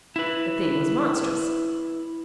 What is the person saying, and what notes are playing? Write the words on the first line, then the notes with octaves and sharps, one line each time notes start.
The thing was monstrous.
E4 B4